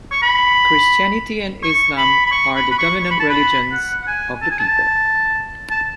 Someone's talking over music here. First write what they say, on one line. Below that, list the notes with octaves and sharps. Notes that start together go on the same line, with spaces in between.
Christianity and Islam are the dominant religions of the people.
C#6
B5
C#6
B5
B5
C#6
B5
B5
C#6
C#6
B5
A5
B5
F#5
F#5
G#5
A5
G#5
A5
A5